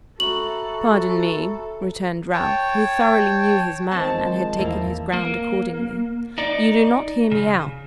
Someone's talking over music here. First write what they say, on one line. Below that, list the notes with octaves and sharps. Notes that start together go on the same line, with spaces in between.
'Pardon me,' returned Ralph, who thoroughly knew his man, and had taken his ground accordingly; 'you do not hear me out.
F#4 A4 E5 A#5 B5 F#7
C#5 G5 A5
D#3 F3 G#3 C4 C#5 A5
E2 G#2 E3 A#3 E4 E6
A#3
D#4 D5
C#3